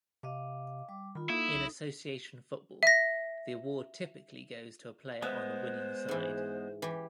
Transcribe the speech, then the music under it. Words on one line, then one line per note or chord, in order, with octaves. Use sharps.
In association football, the award typically goes to a player on the winning side.
C3 D#5 F5 D6
G3 D6
D#3 F4 B5
A#3 D#4 E4 A4 D#6
B1
E5 A#6
G#3 B3 C5 E5
G#2 E3
E3 G4